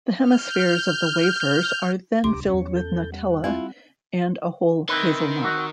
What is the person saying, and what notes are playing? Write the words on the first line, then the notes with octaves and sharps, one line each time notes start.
The hemispheres of the wafers are then filled with Nutella and a whole hazelnut.
F6 G6
D1 C2 D4 G4 A#5 C6 D6
E2 C#4 C#5
A4 G6
G3 F#5
C4 E4 F4
D#3 C4 E4 B4
C4 F#4